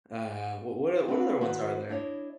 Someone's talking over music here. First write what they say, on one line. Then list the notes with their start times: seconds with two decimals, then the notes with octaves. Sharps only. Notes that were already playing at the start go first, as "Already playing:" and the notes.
uh, w what o what other ones are there?
1.08 C4 D4 D#4 F4 A4 B4
1.41 D#3 B3 E4 F#4 B4 C5
1.89 D4 E4 C#5 D#5